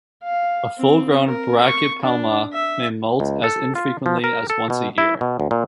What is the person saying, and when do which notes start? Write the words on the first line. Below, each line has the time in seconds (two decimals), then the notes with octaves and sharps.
A full-grown "Brachypelma" may molt as infrequently as once a year.
0.23 F5
0.78 C4
1.27 A#4
1.65 C#6
2.02 D4
2.53 E5
3.20 C#2
3.44 A4
3.75 F4
4.06 F3
4.24 A#4
4.50 A4
4.70 B2
4.98 E4
5.21 B2
5.40 D2
5.51 A#2